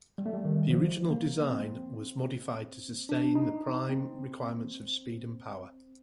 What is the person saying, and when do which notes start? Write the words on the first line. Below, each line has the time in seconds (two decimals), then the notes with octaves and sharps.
The original design was modified to sustain the prime requirements of speed and firepower.
0.18 G3
0.26 A3
0.33 G3
0.45 D#3
0.70 F3
1.10 A#3
1.50 C4
3.09 D4
3.35 D#4
3.89 C4